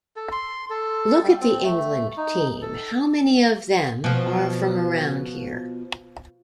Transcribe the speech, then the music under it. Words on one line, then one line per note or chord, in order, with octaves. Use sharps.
Look at the England team, how many of them are from around here?
A4
C6
A4
G3
C4
A3
D#4
A4
B2 F3